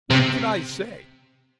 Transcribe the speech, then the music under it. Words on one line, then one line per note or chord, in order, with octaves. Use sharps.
What could I say?
C3